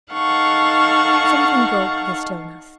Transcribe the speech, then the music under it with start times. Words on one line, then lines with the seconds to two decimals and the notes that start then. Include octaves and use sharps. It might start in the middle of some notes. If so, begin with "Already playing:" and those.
Something broke the stillness.
0.12 D#4 A4 F5 F#5 C#6